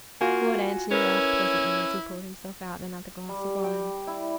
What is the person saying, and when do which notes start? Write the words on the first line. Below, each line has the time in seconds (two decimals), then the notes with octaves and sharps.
Lord Antony laughed pleasantly as he poured himself out another glass of wine.
0.21 A#3 F4 F#4 G#5
0.91 C#4 E4 A#4 B4
3.29 G3
3.64 G5
4.07 E4